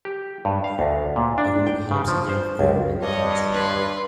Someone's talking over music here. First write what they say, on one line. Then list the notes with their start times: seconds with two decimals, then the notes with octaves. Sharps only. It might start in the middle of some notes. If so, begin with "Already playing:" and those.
A woman helps a young girl in a classroom.
0.05 G4
0.45 G2
0.64 F5
0.79 D2
1.16 A#2
1.38 D4
1.67 G5
1.91 C#3
2.08 F3
2.29 C5
2.59 C#2
3.01 G2 C#5 D#5
3.52 B4 C6